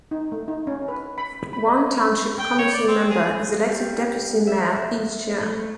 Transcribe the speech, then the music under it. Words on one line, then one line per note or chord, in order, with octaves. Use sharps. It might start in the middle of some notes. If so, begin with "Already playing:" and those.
One township committee member is elected deputy mayor each year.
D#4
A3
D#4
C#4
B4
B5
B5
D#5
B4
G5
C#5
D5
C4
G#4
G3
E5
A3